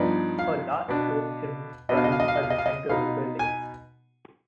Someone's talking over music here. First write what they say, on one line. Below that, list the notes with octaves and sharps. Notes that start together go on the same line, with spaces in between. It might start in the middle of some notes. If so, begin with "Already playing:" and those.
A large stone chimney rises at the center of the building.
Already playing: G2 F3 B3 D#4 D5
F5
B2 B3 D4
B2 B3 D4 D#5
F5
D#5
F5
D#5
F5
D#5
F5
D#5
F5
D#5
B2 B3 D#4 F5
G#5